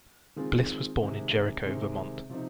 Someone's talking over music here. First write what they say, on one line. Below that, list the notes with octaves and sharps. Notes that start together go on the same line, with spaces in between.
Bliss was born in Jericho, Vermont.
D#3 G#3 C4 F4 G#4
C3 D#3 G#3 C4
C3 D#3 G#3 C4
C3 F3 C4 D#4